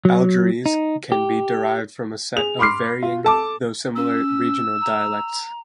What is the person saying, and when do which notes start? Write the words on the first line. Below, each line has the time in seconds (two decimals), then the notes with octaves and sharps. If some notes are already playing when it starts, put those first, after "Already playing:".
Algherese can be derived from a set of varying, though similar regional dialects.
0.05 F#3
0.66 D#4
1.12 G4
2.36 G#4 F7
2.59 B5 C6 D6 F6 C7
3.03 F4
3.24 A4 A5 D6
3.96 C#4 E6
4.81 A#5